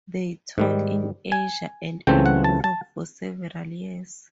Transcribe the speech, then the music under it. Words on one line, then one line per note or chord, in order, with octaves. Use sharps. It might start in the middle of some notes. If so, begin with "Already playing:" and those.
They toured in Asia and in Europe for several years.
G#2 D#3 G3
G#5
C#2 C#3 E3 A3 C4 G5
F#5
A5
A5